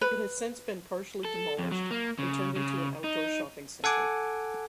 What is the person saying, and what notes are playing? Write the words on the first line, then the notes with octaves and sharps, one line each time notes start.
It has since been partially demolished and turned into an outdoor shopping center.
B4
A4
F2
F#3
A#3
C#3
C#3
D#4
A4 F#5 G#5 D6